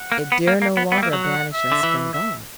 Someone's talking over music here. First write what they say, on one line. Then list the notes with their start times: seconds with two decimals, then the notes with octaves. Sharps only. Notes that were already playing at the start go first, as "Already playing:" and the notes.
It dare no longer banish us from God.
Already playing: F#5
0.12 A#3
0.32 B3
0.47 A#3
0.62 A#3
0.77 B3
0.92 B3 E5
0.98 G3
1.03 A#3
1.13 F#3
1.23 F#5
1.53 E5
1.72 D3
1.83 E3
2.13 E5